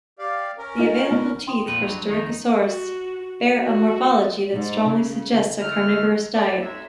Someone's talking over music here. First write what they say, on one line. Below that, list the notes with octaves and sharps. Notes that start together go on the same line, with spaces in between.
The available teeth for "Staurikosaurus" bear a morphology that strongly suggests a carnivorous diet.
G4 D5 F5
C#4 A#4
D#4 F4
B3
G5 C6 D#6
F2 A#2 B4
G2 F#3
F2 D#3 D#4
F#4
F#4
G#2
C#3
D3 A3 D#4 A4 F6
D5
F2 G#3 D#4 C#5 E5